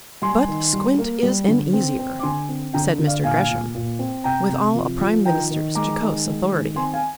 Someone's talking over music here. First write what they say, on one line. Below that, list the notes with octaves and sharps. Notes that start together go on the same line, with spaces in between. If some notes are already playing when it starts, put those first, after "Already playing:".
"But squint is an easier," said Mr. Gresham, with all a prime minister's jocose authority.
G3 G#5 C6
D#3
G3
A#3
G3
D3
C4
C4
D6
D3 G#5 C6
C4
D3 G5 A#5
D3
D5 F5
A#2 F5 G#5
A#2
A#2
C4
C3 G5 A#5
C3
F3
F3
D#3 G5 A#5
D#3
G#3 A#5 D6
D#3
G#3
D#3
C4 G#5 C6
F5 G#5